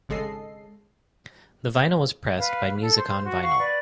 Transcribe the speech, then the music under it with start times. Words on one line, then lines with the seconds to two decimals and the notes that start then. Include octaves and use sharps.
The vinyl was pressed by Music On Vinyl.
0.09 G#1 C#3 G#3 A4 D#5 C7
2.38 B4 F5
2.81 A4
2.97 C5 C6
3.24 F#4
3.42 F5 F#5 C#6
3.59 B4 D5